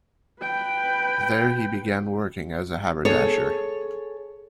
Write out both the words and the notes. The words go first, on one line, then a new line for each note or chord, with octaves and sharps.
There he began working as a haberdasher.
B4 G5
G#4 A4 C#5